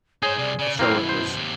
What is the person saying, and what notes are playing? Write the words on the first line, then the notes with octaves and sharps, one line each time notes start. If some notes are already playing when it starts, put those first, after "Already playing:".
Uh, so it was
D#4 G#4 C5 C#5
C2 C3 D5
C#3 D5
F#2 B2 A#3 C4 E4 F5
C5
D#2 C3